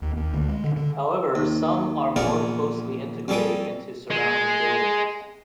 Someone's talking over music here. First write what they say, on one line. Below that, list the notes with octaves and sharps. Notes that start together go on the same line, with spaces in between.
However some are more closely integrated into surrounding buildings.
D#2
D#2
D2
G#3
D3
D3
D#2
A#1 E2 G#4 A#4 D5 F#5
F2 G3 G#4 A4 G5 D#6
G#3